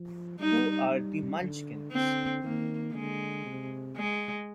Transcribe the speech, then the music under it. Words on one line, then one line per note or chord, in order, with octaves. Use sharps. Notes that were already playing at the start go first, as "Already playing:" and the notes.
Who are the Munchkins?
Already playing: F3
G3 D#4
G3
D3
D3 C4
D#3 A#3
D3 G#3
C3
G#3